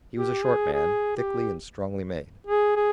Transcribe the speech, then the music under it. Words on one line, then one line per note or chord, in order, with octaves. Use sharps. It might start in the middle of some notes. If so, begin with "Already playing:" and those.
He was a short man, thickly and strongly made.
G4
G#4
G#4
G4
G#4
G#4